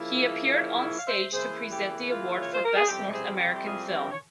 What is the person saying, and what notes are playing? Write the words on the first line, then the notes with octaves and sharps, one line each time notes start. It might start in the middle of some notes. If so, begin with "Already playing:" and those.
He appeared onstage to present the award for Best North American Film.
Already playing: C#3 F3 A#3 E4
C#5 F5
C#5 F5
F5
C5 E5
C#3 E3 A#3 E4 G#4 C5
G4
F4
C#5
C5
A#4
G#4
F2 C3 G3 C4 E4 G4
G#4 C5
G4
G4
F4 G#4
G4 A#4
C#5